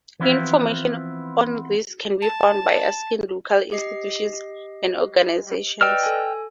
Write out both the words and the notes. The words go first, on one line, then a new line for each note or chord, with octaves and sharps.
Information on these can be found by asking local institutions and organizations.
E3 F3 B3 C4 E4 F4
A5
G4 D#5 C7
B4 D5 D#5 G5 E6 F6
A4 G#5